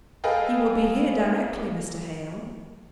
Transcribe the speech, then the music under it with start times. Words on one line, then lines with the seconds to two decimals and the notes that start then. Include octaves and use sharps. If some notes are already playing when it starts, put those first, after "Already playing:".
He will be here directly, Mr. Hale.
0.24 G#4 A4 B4 D#5 F5 G5